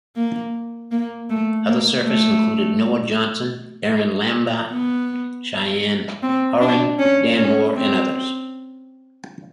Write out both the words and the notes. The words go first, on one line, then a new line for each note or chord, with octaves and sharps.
Other surfers included Noah Johnson, Aaron Lambert, Cheyne Horan, Dan Moore, and others.
A#3
A#3
A3
A#3
A3
B3
C4
D4
C#4
C#4
C4